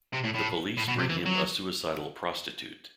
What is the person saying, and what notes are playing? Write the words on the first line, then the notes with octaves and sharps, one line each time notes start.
The police bring him a suicidal prostitute.
C3
A2
A2
A2
B2
C3
E3
F#3